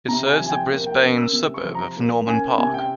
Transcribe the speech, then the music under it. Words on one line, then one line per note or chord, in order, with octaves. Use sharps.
It serves the Brisbane suburb of Norman Park.
C3 A#5
G#5
F3
G#5
G5
A#3
G5
C#4
E6
C3
C#6
F3
A#5
A#3
C#4 G#5
C3 G#5
G5